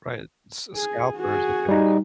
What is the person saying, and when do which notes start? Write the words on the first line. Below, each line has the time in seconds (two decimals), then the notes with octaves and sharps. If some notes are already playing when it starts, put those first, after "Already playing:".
Right, s scalpers, I think.
0.75 G#4
1.16 F#4 G#4
1.69 G3 D#4